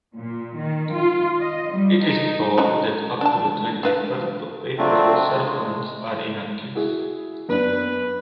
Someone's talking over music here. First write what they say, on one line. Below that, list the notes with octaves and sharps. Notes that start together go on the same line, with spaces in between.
It is thought that up to the twenty-third of April, serpents are innocuous.
A#2
D#3
F4
D#5
G3
D#4
C#4 D#4 F#4
D4 A5
D4 B4 F5
F#3 A3 C4 D4 F4
G#3
E4 F#4 G#4
F#2 B3 D4 B4